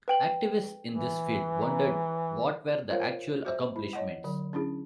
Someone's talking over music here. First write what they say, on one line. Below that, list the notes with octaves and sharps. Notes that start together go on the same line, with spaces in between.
Activists in this field wondered what were the actual accomplishments.
B4 G5 F#7
E3
A#5
F4 A#4 C5 C#5 F5
F#4 C5 E5
E4
C#5 D#5 F#5
D3 F#3
C#4 D4 E4 G#4